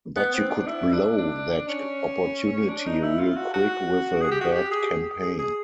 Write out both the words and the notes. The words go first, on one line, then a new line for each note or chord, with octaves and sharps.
But you could blow that opportunity real quick with a bad campaign.
B3
C4
D4
E4
D4
D4
C#4
D4
D#4
E4
F4
F#4
F#4
G#4
G4
F#4
G4
G#4
G#4
G#4